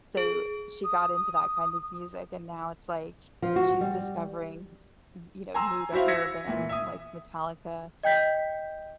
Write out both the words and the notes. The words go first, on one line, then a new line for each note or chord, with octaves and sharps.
so she got into that kind of music, and now it's like sh she's discovering, you know, new to her bands like Metallica,
G#4
D#6
F3
F#4
G3
G#5 A#5 C6 E6
E4 F#4 C5 E5 F5
E6 G#6 A#6 B6 C#7
A#2 E3
E5 D#6
D#5 G5 G6 B6